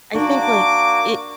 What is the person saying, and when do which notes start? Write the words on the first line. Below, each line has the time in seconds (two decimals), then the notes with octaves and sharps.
I think, like, i
0.14 A#3 D4 F#4 D6